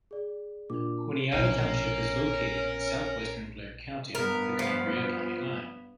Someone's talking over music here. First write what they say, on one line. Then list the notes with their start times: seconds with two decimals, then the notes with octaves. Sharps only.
Juniata Township is located in southwestern Blair County, along the Cambria County line.
0.11 G#4 D5
0.69 A#2 D4 D6
1.32 A#1 B2 C#4 A#4 F5
4.15 G2 B3 A#4
4.59 F3